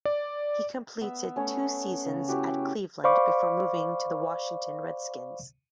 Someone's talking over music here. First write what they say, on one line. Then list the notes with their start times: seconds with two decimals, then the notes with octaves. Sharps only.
He completed two seasons at Cleveland before moving to the Washington Redskins.
0.05 D5
1.01 B3 E5
1.36 A3 C#4 C#5
2.05 C#3
2.28 E4 F#4 G4
3.04 C5 D5 F5 B5 C#6 D6